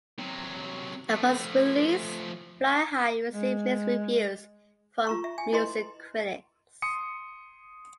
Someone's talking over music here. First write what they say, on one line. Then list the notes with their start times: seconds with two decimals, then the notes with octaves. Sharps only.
Upon its release, "Fly High" received mixed reviews from music critics.
0.19 C3 F#3
1.10 F3 A3
3.33 G#3
5.07 F4 A#5 C#6
5.24 E5
5.38 G#5
5.53 E4 B4 D#5 A#5 C6
6.82 C6 D#6 C#7